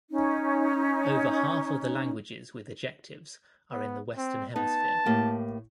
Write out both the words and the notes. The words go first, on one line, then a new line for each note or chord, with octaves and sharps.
Over half of the languages with ejectives are in the Western Hemisphere.
C#4 D#4
B3
C4
B3 D#4 A5
A2 A#3 G4